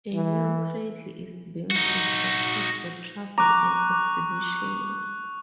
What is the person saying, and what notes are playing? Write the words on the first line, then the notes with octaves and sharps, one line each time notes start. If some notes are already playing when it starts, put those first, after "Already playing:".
A new cradle is being constructed for travel and exhibition.
E3
D#4 F#4
A#5 C#6 D6 F#6 F7